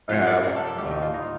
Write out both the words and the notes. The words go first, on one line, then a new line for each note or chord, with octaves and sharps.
I have, um,
C3 F3 F4
D5
A#4
A4
A4
A2 G3 G4
D#4
F4
D#4